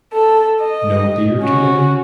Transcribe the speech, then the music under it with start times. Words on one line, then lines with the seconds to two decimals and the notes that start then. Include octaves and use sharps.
No beer today?
0.13 A4
0.61 D#5
1.39 C#4 F#4